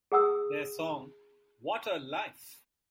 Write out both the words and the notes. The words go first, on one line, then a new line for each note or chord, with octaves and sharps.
Their song What a Life!
G#4 F#5 D#6 E6